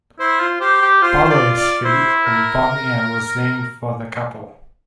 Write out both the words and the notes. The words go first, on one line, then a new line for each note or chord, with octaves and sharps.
Burroughs Street in Bon Air was named for the couple.
E4 C5
F4
G4 C5
G4
F4 C5
C5
D5
D5
E4 C5
A#4